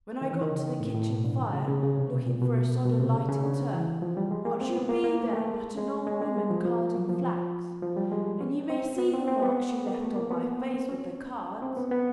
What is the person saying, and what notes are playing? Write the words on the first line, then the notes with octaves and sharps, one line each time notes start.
When I got to the kitchen fire, looking for a sod of lighted turf, what should be there but an old woman carding flax, and you may see the marks she left on my face with the cards.
D#3
E3
D#3
C#3
A2
A2
B2
D3
D#3
C#3
C#3
C#3
C3
B2
A#2
B2
B2
C3
C#3
C#3
D3
E3
F3
G3
G#3
A#3
C4
B3
A#3
A#3
A3
A3
G#3
G#3
G#3
G#3
G3
F3
F3
F#3
F3
F3
F3
G3
G#3
C#4
C4
B3
C4
C4
B3
A#3
A3
A#3
B3
C4
C#4
C4
B3
B3